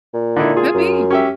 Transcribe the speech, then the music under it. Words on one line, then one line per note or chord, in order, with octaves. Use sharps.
Could be.
A#2
D3 D#4 E4
F4 G#4
F#2
C#4 G4 E5